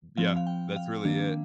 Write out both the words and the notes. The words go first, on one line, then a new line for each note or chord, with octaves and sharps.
Yeah, that's really it.
F3 C4 F5
F5
G5
F5
D#3 A#3 D4